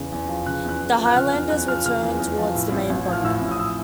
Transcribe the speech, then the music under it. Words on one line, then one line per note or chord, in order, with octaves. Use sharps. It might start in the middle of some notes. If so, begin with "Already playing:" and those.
The Highlanders returned towards the main body.
Already playing: E2 C#3
E2
F3
C#3 F#6
E2 F#6
E2
F3
F#6
C#3 F6
E2 F6
E2 F#6
F3 F6
C#3 F6
E2
E2
F3
A2
A1
A1
F3
F6
A2 E6
A1
D#6
E6